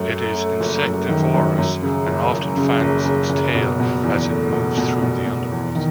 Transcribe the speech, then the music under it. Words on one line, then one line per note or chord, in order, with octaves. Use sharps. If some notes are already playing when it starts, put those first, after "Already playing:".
It is insectivorous, and often fans its tail as it moves through the undergrowth.
Already playing: F#2 A3
A3
A3
F#1
F#1
D#3
F#2
F#2
C#3
F#1
F#1
C#3
F#1
C#3
F#1
B2
B2
E2
A3
B2
B2
B2
B2
E2
D#3